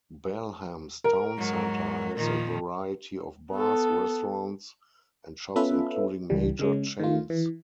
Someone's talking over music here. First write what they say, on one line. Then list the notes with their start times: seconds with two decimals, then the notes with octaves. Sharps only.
Balham's town centre has a variety of bars, restaurants and shops including major chains.
1.04 A#4
1.37 G#2 F#3
2.16 A#2 D#3 F3
3.52 B3 A4
5.56 B3 C#4 F4 A4 B4 E5
6.30 C#2 E3 G3
6.59 C#3 G#3 C#4
6.99 D#3 A3 F4
7.30 E3